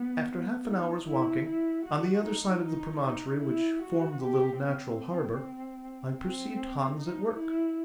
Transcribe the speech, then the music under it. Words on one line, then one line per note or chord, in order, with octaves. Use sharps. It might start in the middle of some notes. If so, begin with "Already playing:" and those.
After half an hour's walking, on the other side of the promontory which formed the little natural harbour, I perceived Hans at work.
Already playing: B3
D#4
E4
E4
F#4
D#4
D#4
D#4
E4
F#4
G4
C4
C4
D#4
E4